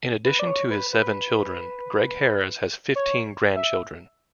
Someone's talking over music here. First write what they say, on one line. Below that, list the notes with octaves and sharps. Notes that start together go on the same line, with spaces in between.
In addition to his seven children, Gregg Harris has fifteen grandchildren.
B4
D5
C#5
B4
B4
C#5
E5